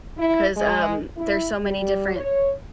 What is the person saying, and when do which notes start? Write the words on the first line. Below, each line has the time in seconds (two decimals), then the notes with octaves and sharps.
'cause, um, there's so many different
0.17 E4
0.56 G#3
1.17 E4
1.61 G3
2.16 C#5